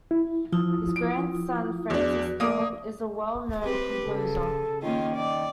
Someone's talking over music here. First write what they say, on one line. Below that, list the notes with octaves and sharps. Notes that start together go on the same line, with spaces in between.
His grandson, Francis Thorne, is a well known composer.
E4
F3 E4 F4 D#6
D7
E2 D4 F#4
A#3 D5 D6 D#6
C4 G4 B4
C#3 A4
D#3 A#3 C#4 F4
D#3 D5